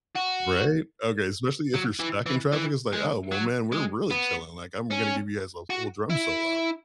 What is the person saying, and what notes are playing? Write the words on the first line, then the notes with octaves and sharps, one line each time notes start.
right, okay, especially if you're stuck in traffic, it's, like, "Oh, well, man, we're really chilling, like, I'm gonna give you guys a full drum solo,"
F#4
F#3
E3
E3
E3
G#3
F#3
G#3
B3
C#4
F#4
E4